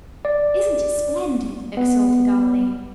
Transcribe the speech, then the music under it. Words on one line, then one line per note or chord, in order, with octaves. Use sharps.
"Isn't it splendid!" exulted Arline.
D5
B3